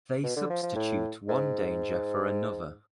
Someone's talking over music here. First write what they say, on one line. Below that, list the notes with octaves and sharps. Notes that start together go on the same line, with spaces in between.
They substitute one danger for another.
B2
D3
F3
F3
A2
G#2